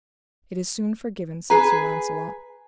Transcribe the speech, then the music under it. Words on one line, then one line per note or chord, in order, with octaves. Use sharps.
It is soon forgiven, said Sir Launcelot.
G#4 B4 A#5